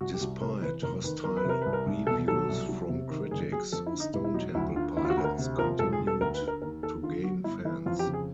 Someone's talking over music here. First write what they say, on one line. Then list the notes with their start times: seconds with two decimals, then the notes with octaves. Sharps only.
Despite hostile reviews from critics, Stone Temple Pilots continued to gain fans.
0.01 C2 F#4
0.14 G4
0.21 C2 F#4
0.42 C3 A#4
0.62 E3 B4
0.82 F1 A#4
1.04 D#3 B4
1.24 E2 A#4
1.37 B4
1.44 C3 A#4
1.62 C2 B4
1.73 A#4
1.86 C2
2.07 B2 A4
2.28 F#3 A4
2.49 C2
2.69 F#3
2.89 C3
3.10 D#3
3.31 F#1 G#4
3.52 F#3 G#4
3.72 F2 A4
3.87 E4
3.93 D3
4.00 D#4
4.14 E1 E4
4.24 E4
4.34 F#3 D#4
4.55 D2 E4
4.76 D3 F4
4.97 D2 E4
5.05 F4
5.10 F#4
5.17 D2
5.24 A#4
5.38 C3
5.58 F3 A#4
5.79 E1 A4
5.93 G#4
6.00 E1
6.07 A4
6.21 D2 A#4
6.34 B4
6.41 D3
6.48 A#4
6.62 D#2 A#4
6.82 D#2 A4
7.03 D3 F4
7.24 F#3 F#4
7.44 G1 E4
7.65 E3 E4
7.86 F2 F4
7.99 G4
8.07 C#3
8.13 G#4